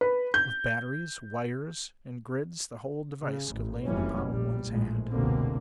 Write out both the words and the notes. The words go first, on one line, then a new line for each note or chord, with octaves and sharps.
With batteries, wires and grids, the whole device could lay in the palm of one's hand.
B4
G6
C#3
A1
F#1 F2 E3 G3 C#4
A#1 G3
A#1 A2 G#3
F1 C#2 B2 D3 A#3 C4